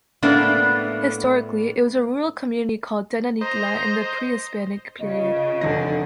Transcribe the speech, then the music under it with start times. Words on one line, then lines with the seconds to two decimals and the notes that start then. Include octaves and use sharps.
Historically, it was a rural community, called Tenanitla in the pre-Hispanic period.
0.23 A2 A#3 B3 D4 E4
3.41 C5 D#5 A#5
5.00 C#3 F4 D#5
5.61 F1 D3 D#4 A#6